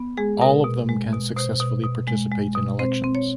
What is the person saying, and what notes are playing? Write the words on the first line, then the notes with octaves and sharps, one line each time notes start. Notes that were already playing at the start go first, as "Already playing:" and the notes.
All of them can successfully participate in elections.
Already playing: B3
G#3 G#4
B2 A#4
B2
G#3
B2
B2 C5
B2
B2
G#3
G#3
B2
C4 C5
C4
C#5